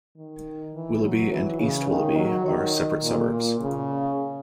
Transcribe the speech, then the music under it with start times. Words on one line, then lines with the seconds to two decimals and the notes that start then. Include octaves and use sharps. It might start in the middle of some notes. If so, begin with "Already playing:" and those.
Willoughby and East Willoughby are separate suburbs.
0.17 D#3
0.74 E3
1.02 F#3
1.31 E3
1.60 C#3
1.89 D#3
2.17 F#3
2.46 D#3
3.03 A#2
3.31 A#2
3.60 C#3